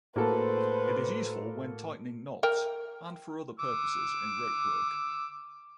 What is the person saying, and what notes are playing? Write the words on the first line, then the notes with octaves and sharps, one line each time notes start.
It is useful when tightening knots and for other purposes in ropework.
A2 A#3 F#4 A4 B4 C5
A#4 G5
D6 E6